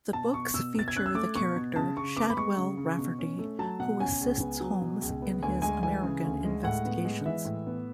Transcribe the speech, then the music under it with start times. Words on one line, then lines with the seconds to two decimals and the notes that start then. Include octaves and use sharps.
The books feature the character Shadwell Rafferty, who assists Holmes in his American investigations.
0.13 B2 A5
0.33 B2 C#6
0.54 B2 E6
0.75 B2 A6
0.88 G#6
0.95 C#4 F#6
1.06 E6
1.15 A3 D6
1.35 B2 C#6
1.56 B2
1.76 C#3 A5
1.97 C#3 C#6
2.17 B3 D6
2.30 B5
2.37 G#3 C#6
2.57 C#3
2.77 C#3
2.98 B2
3.19 C#4
3.39 A3
3.59 F#3 A5
3.79 B2 F#5
3.99 C#4 G#5
4.21 C#2
4.41 B3
4.61 F#3
4.81 B2
5.01 C#2
5.22 B3
5.42 D2 G#5
5.62 G#3 G#5
5.83 E3 G#5
6.03 C#3
6.24 D2
6.45 G#3
6.64 A2 F#5
6.85 B3
7.05 G#3
7.26 E3 E5
7.45 A2
7.67 B3